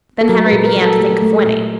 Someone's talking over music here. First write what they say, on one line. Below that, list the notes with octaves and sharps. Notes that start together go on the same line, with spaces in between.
Then Henry began to think of winning.
A4
F#3 A#4
B4
A#2
A#4
F#3
A4
A3 G4
A3
A#2